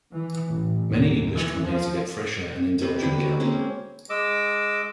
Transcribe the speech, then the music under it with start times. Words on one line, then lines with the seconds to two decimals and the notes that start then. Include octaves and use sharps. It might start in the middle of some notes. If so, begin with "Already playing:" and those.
Many English come here to get fresh air and indulge in a gamble.
0.11 E3
0.50 A1
0.92 D#2
1.33 E3
1.67 F3
2.81 C3 B4
3.01 D3 G3 B5
3.18 F#4
3.40 G#3 A#3 C4 C#4
4.10 G#3 D#5 D6 E6